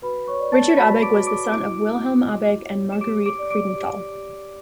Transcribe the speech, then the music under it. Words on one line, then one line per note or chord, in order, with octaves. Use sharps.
Richard Abegg was the son of Wilhelm Abegg and Margarete Friedenthal.
F#4 B4 B5
C#5 C#6
D5
A5 A6
F#4 B5 B6
D6 D7
F#4
D6 D7
E4 D6 D7
E4
G4
C#5
E7
G4 D6 D7
D6 D7
D5
D6 D7
G4
G4